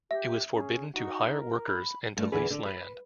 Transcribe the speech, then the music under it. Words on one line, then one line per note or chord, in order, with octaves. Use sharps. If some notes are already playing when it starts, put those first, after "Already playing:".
It was forbidden to hire workers and to lease land.
G4 E5
C#4 G#4
D#4 F#4
A#4
B5
G2 A3
E2 D3 E3 G#4 B4
D3
B4